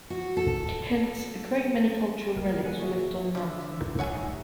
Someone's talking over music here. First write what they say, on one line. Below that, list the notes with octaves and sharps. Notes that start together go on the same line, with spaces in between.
Hence, a great many cultural relics were left on the mountain.
F#4
A4
G#3 A#3 G#4 A#4
F3 F#5 G#5
F#4 E5
D3 F3 G3 E5
G3 C#5 E5 F#5 G#5
A2 D#4